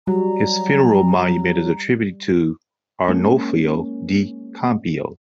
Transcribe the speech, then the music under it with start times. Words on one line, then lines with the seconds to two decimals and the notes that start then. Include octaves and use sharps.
His funeral monument is attributed to Arnolfo di Cambio.
0.07 F#3 G3 A#5
3.08 G#3 A#3 C#4